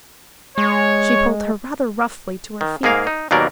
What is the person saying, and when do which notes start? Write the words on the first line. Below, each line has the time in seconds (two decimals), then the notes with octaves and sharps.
She pulled her rather roughly to her feet.
0.58 G#3 C#5
2.61 D#3
2.83 G#2 A#3 G#4 A#4 F5
3.07 D#4
3.31 D#2 B2 F#3 A#3 A#4 D5